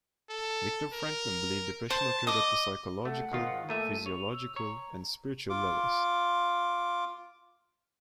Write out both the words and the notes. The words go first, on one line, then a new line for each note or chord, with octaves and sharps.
Viktor Frankl believed depression occurred at the psychological, physiological, and spiritual levels.
A4
A#4
C5 A5
D#5 D6 D#6
A3 F#5
G#1 D#3 F4
A#2 A3 E5 D#7
C#5 F7
E6
C#5 A#5
F4 D6